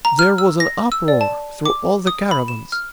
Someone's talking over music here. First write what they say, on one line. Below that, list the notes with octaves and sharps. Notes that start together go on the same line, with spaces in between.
There was an uproar through all the caravans.
A#5
F6
E6
A#6
E6
D5
A5
D6
D#6
B5
E7
F6